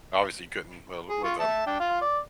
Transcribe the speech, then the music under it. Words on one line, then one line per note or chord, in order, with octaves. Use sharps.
obviously couldn't, well, with, um,
G#4
F4 C#6
E5 A5
D4 G5
F4 F5
D5